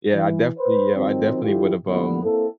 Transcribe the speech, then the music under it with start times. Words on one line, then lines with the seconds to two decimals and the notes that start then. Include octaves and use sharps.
yeah, I definitely yeah, I definitely would've, um
0.14 E3
0.58 B4 C5
0.96 D#3 F3 F#3 C4
1.43 D3 E3 F#3 E4 F4 G4
1.88 A#2 D3 E3 G3 A3 B3
2.22 A#3 C4 E4 A4